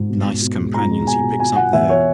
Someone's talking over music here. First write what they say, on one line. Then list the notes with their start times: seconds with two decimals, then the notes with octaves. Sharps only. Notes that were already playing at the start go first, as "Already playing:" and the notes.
Nice companions he picks up there!
Already playing: G#2
0.09 B2
0.25 B2
0.42 B2
0.58 G#3
0.74 G#3 A#5
0.91 G#3
1.07 B2 G#5
1.23 B2
1.40 B2 G#5
1.56 B2 F#5
1.73 E2 E5
1.89 C#5